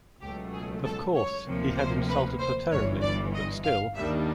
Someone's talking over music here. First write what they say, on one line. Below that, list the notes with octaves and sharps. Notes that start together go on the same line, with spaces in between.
Of course, he had insulted her terribly, but still —!
C#2 B2 F#3 A3 G4
G#4
A4
C#5
D2 C3 F3 A#3
C5
B4
C5
G1 G2 E3 C#5
D5
D#5
F5
D#2 D#3 G3 A#3 D4 E5